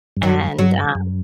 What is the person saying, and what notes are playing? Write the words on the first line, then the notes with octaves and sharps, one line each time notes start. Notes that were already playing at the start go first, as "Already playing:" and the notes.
and, um
G2
F#2 F#3
G2 F#3
F#2